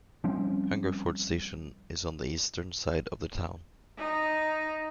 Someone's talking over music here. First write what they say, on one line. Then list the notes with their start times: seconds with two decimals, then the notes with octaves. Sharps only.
Hungerford station is on the eastern side of the town.
0.24 F3 G3 C4 C#4
3.98 D#4